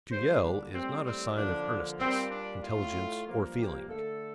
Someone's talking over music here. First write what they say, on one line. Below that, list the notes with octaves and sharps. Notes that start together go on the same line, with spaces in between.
To yell is not a sign of earnestness, intelligence, or feeling.
D3 G3 A#3 C5
D4
A2 G3 A#3 C4
C4
D3 F3 A#3 D4
A#2 G3 A#3 C4
D4
A2 A3 F4
G2 F3 A#3
G4
D3 A3 A4